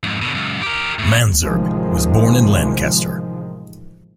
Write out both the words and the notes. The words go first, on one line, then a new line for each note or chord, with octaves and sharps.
Mansergh was born in Lancaster.
F2 G#2
B2 D3
C#2 F#2
G4 A#4
A2 C#3
A1 C3 D#3 F3 G#3